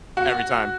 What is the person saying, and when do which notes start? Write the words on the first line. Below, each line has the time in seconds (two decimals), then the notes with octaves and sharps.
every time.
0.17 F#4